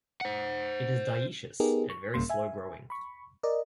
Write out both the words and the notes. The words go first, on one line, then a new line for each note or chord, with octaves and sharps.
It is dioecious and very slow-growing.
C5 F#5
B3 D#4 G4 G#4 A#4
C#6
A#1 G2 C#3 A#3 C6
E5 G#5
B5 C#6
A#4 D5 D#5